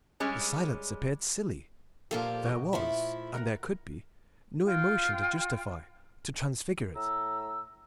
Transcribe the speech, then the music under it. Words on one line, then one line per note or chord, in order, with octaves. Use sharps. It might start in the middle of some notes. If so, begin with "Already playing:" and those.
The silence appeared silly; there was, and there could be, no emotion to justify, to transfigure it.
G3 G#3 C#4
A#2 F3 A#3 F4 G4 A4
F#4 D#5
F3 A3 E4
A#4 F#5 A#5
F4 G5
A2 A#5 E6